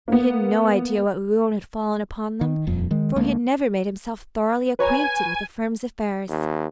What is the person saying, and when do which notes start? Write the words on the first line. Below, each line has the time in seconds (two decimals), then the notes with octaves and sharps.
But he had no idea what ruin had fallen upon them, for he had never made himself thoroughly acquainted with the firm's affairs.
0.08 A#3 B3
2.41 D#3
2.67 D#1 F2
2.91 D#3 G#3
3.16 D2 G#3 A#3
4.79 B4 C#5 G#5 A#5
6.29 D#2